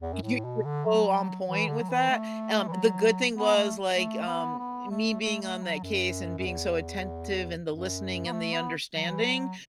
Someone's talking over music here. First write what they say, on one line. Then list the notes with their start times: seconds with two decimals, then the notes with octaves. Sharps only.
You are so on point with that, um, the good thing was, like, um, me being on that case and being so attentive in the listening and the understanding,
0.01 E2
0.13 F#2
0.23 A2
0.44 B2
0.64 D3
0.86 F#3
1.47 E3
1.68 D3
1.81 F#3
1.89 E3
2.09 A3
2.67 E3
2.72 F#3
3.35 B3
3.55 A3
3.96 A3
4.28 B3
4.58 B3
4.90 A3
5.21 A3
5.42 A3
5.62 F#3
5.83 F#2
6.38 F#2
6.46 E2
7.70 F#2
8.26 B3
8.33 A3
8.53 B3
8.95 F#3
9.08 E3
9.22 F#3